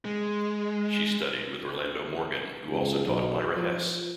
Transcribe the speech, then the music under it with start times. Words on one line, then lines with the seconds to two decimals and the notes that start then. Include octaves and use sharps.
She studied with Orlando Morgan, who also taught Myra Hess.
0.05 G#3
2.69 C#2
3.06 B1
3.56 F3